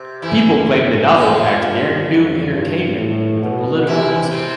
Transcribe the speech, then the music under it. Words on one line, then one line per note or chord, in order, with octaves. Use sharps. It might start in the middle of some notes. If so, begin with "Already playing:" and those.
People claimed the novel packs derring-do entertainment with a political message.
Already playing: C3
F2 E3 E4
G2
F2 F3 F4
G2
F2
G2
A2
B2
C3 E3 E4
C3 C4